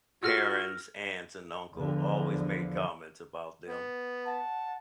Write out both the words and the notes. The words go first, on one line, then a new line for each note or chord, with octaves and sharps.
parents, aunts and uncle always made comments about them,
F4 F#4 G#4 A4 E6 F6 A#6
E2 D3 F3
B3
F#5 A5